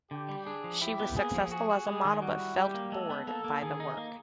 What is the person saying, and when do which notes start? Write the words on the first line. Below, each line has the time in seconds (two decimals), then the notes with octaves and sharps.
She was successful as a model but felt bored by the work.
0.11 D3 G4
0.29 G3
0.46 D4 G#4
0.64 F3
0.82 E4 G4
1.00 B3
1.16 A#3 G#4
1.34 F3
1.52 F#4 G#4
1.70 F#4
1.86 G#3 G#4
2.05 D#3
2.22 G3 F#4
2.40 E4
2.57 G3 G4
2.74 A#3
2.92 G#3 A4
3.10 B3
3.27 A#3 A4
3.44 A#3
3.62 D#3 G#4
3.80 D#4
3.97 A#3